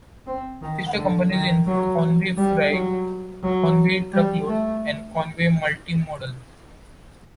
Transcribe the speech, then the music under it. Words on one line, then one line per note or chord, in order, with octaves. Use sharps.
Sister companies include Con-way Freight, Con-way Truckload, and Con-way Multimodal.
C4
D#3
D3
D#3
F#3
G3
F#3
F#3
G3
A3